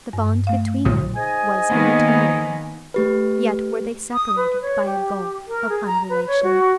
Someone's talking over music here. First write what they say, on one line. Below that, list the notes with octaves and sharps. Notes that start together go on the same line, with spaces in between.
The bond between them was an eternal one, yet were they separated by a gulf of unrelation.
G2
A3 F5
B1 A#2 D3
G#2 D#5 G#5
D#3 A#3 B3
A3 G4 B4
D#6
B4
C#5
G4
A#4
G#4
A#5
B4
C#5
F#4